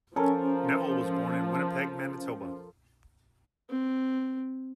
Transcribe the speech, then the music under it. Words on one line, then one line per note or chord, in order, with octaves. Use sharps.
Neville was born in Winnipeg, Manitoba.
F3 C#4 A4 A#4
C4